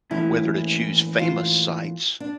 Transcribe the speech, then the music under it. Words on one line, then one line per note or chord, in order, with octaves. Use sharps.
whether to choose famous sites
A2 E3 A#3 C#4 E4
F4
D4